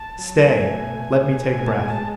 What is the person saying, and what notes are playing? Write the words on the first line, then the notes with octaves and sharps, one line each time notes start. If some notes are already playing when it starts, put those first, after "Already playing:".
Stay, let me take breath ...
Already playing: A5
F#3
A3 G#5
B2
B2
B2
A2 G#5
A5
G#5
G#3
A5